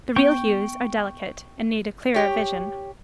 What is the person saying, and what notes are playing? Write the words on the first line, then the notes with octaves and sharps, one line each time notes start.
The real hues are delicate, and need a clearer vision.
B3 G5 C#6
G4 C#5